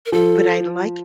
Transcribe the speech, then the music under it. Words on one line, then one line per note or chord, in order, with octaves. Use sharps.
But I'd like
A#4
F3 A4